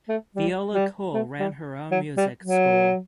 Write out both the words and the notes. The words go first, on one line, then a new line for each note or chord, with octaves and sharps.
Viola Cole ran her own music school.
A3
G3
G3
A3
G3
F#3
G3
F#3